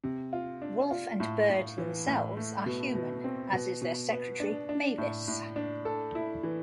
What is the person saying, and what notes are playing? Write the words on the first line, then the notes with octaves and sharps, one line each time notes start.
Wolff and Byrd themselves are human, as is their secretary Mavis.
C3
F4
D4
F4
A2
A2
E3
A2
A3
B2
B2
C4
B2
B2
B3
D4
D4
A2
A2
D4
A4
E4
E3